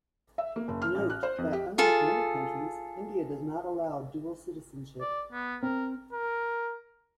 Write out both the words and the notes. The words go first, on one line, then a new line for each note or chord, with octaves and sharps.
Note that unlike many countries, India does not allow dual citizenship.
E5
A#3
F#1
F6
A1
F#6
C5
F2
G4
F4 G#4 A4
D5
B3
C4 A#4
A#4